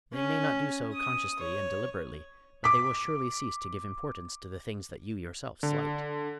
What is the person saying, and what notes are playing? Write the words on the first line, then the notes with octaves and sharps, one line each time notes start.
They may not do so consciously and deliberately, but they will surely cease to give importance to the things that you yourself slight.
C#4
D#6
C#5
D6 B6
D3